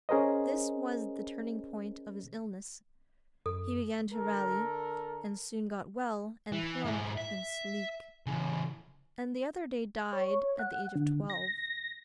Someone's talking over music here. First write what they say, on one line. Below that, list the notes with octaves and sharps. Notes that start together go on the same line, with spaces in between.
This was the turning point of his illness; he began to rally, and soon got well, and plump, and sleek; and the other day died at the age of twelve.
C#4 G#4 A#4 C5 D#5
F#2 A4
D3 A4 A#4
E3
G#2 E4
E5
C#3 E3
C#5
F#5
D3
A#6